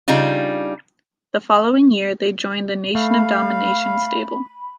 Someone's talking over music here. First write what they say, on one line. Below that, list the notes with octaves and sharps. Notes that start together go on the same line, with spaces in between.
The following year, they joined the Nation of Domination stable.
C#3 G3 D4 D#4 F4
A3 F5 B5